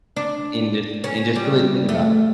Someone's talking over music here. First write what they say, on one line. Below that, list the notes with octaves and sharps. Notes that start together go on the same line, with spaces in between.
and just and just really think about it.
D4
C#4
G3
A3